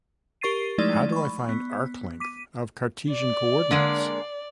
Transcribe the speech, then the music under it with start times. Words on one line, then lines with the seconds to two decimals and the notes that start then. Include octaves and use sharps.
How do I find arc length of Cartesian coordinates?
0.41 G4 A#4 C#6 A6 C7 D#7
0.78 F3 G#3 A3 D#4 E4 D5
1.12 B5 C#6
1.49 B3
2.20 D6 B6 D#7
3.10 D5
3.71 D3 G#3 A#3